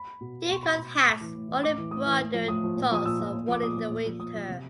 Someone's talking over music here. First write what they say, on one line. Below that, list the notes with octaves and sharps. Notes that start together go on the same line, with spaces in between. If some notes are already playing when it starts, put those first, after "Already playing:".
Yukon hats or embroidered toques are worn in the winter.
Already playing: B5
B2
B2 C#6
C6
B5
C6
B2
A2 D6
E3
A2
E3
A2 D6
E3
A2 D#6
E3
A2
F3
A2 D#6
F3
A#2
F3 D#6
A#2 E6
F3
A#2
F3 D6
A#2 D#6
F3
A#2
F3
A#2 D#6
F3
C3